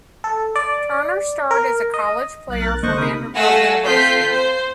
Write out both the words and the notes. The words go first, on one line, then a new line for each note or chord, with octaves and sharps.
Turner starred as a college player for Vanderbilt University.
A4
D5
A#4
D#5
B1 F#6 A6
A#4
D3 A#3 C5 D#5 C#6 F#6
C3 D#4 A#4 B5 D#6
A3 F5 F#5 G#5 E6 A#6
C4 F4 A4 G6 B6 C7
C5